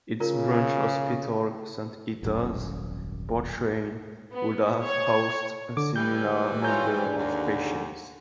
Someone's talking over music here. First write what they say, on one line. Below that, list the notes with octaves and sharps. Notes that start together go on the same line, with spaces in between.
Its branch hospital, Saint Ita's, Portrane, would have housed a similar number of patients.
C#3 F4 A#4 A#5
D#1 G#1 F#2
B3
C#5
D3 D6
E3 G3 G6
F4 C#5 G#5 A#5 G6
D3
D#2